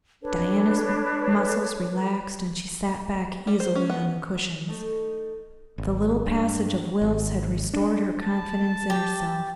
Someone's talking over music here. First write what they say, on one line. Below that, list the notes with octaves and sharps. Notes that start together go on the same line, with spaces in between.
Diana's muscles relaxed and she sat back easily on the cushions, the little passage of wills had restored her confidence in herself.
D4 A4 B4 C#5
G3
C5
C#4
B3
A3 D#4 A4 D#5
G#1
G2
G#1
D4
A5
G4